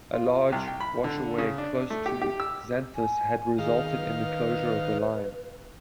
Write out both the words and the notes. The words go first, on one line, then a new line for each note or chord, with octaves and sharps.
A large washaway close to Zanthus had resulted in the closure of the line.
F4
C2
G5
B5
D3
C#3
D4
A3
G4
G4
E6
G#5
D#3 G#4 F5
B4
B4